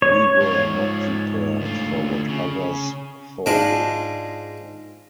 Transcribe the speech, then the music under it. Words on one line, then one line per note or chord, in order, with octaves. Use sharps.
We were not prepared for what others thought.
C#5
G#2 F4
D2 F4
C#3
G#2 G#3 D4 F4